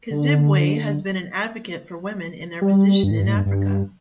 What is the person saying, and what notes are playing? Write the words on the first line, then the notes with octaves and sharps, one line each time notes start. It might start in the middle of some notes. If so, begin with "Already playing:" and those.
Kazibwe has been an advocate for women in their position in Africa.
D3
G3
G2
A2
G2
A2
G2
G2